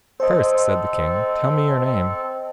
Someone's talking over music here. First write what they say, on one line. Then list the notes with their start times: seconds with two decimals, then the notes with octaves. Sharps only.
First, said the king, tell me your name.
0.20 C4 A4 C5 D#5